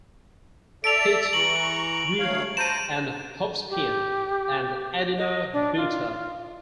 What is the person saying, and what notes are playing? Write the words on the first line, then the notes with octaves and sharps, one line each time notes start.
Pit, Grube and Hovsepian and Adina Butar.
A4 D5 E5 D7 F7
E3 A#5 C#6 F#7
D2 C#5 F5
C5 A5 A#5 D#7 E7
G4
D#5
D4
F4